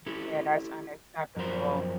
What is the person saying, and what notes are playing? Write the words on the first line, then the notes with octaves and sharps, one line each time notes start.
Yeah, that's unacceptable.
E4 G4 A4
F#2 F3 A#4 C5